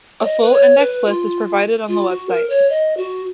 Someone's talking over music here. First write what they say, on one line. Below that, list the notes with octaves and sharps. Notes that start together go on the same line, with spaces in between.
A full indexed list is provided on the website.
C#5
D#5
B4
C#5
B4
F4
F4
F#4
A#4
C#5
D#5
F#4